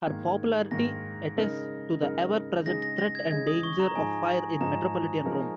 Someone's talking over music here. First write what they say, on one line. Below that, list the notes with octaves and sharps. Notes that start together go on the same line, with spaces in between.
Her popularity attests to the ever-present threat and danger of fire in metropolitan Rome.
G#2 D#3 A#3 G#6
G#2 D#3 A#3 A#6
C#3 G#3 D#4 A#4
C#3 G#3 D#4 A#4
C#3 G#3 D#4 G#4 D#5 A#6
A#6
A#6
G#6
C#3 G#3 D#4 G#4 D#5 G#6
D#6
C#6
A#5
G#2 F3 G#3 D#4 G#5
G#2 F3 G#3 D#4 A#5
F3 G#3 D#4 A#4